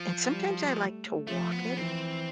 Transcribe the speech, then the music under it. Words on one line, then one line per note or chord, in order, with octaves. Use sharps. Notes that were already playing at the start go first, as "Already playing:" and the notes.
and sometimes I like to walk it
Already playing: F3
G3
A3
F3 A3
B3
E3 C4